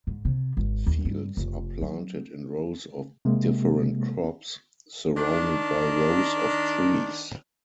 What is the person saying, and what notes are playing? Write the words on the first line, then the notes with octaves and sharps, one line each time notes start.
Fields are planted in rows of different crops surrounded by rows of trees.
G#2
C3
G#1
D#2
G2
F1
F#3
C3 G#3 A#3
D#3 D4